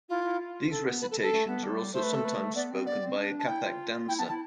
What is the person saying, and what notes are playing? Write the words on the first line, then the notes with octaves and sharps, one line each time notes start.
These recitations are also sometimes spoken by a Kathak dancer.
E4 F4
E4
F4
A4
B3
B4
A4
A4
A3
B3
G3
A3 C5
B4
A4
B4
B3 D5
C4
B3 D5
C4
D4
A5
E4 G5
F4
E4 G5
B3 A5
E4 A5